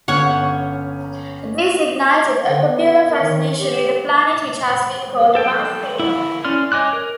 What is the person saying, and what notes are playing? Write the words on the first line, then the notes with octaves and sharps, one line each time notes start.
This ignited a popular fascination with the planet which has been called "Mars fever".
G1 C#4 C#5 F#5
D3
B3
A#4
D#3
G4
A4 G5
E4
C#4 D5 C6 F6
C#5 D#5 G#5 D6 F#6
A#4